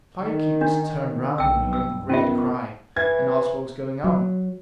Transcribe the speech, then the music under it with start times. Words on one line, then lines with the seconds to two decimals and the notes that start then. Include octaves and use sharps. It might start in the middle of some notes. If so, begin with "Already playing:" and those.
The fire-keepers turned round on hearing the great cry, and asked what was going on.
0.23 D#3
0.61 D4
1.38 B1 G2 G5 E6
1.73 E6
2.09 D#3 B3 C#4 F4 E5
2.97 E3 G#6
4.04 F#3